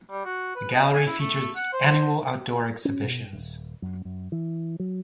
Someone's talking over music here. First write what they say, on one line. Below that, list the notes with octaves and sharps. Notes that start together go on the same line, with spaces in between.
The gallery features annual outdoor exhibitions.
G3
F#4
B4
D#5
G#5
E4
A3
F#5
C5
C#4
B2
D#1
F#2
F#2
E3
F#3